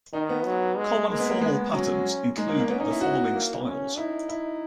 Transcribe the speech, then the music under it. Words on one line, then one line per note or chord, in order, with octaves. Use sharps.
Common formal patterns include the following styles.
D#3 D#4
B3
F#3
G#3
G#3 A#3
B3
A#3
G#3 B3
F#3 C#4
G#3 D#4
A#3
A#3
B3 C#4
D#4
E4
F#4
A#3
C#4
D#4 E4
E4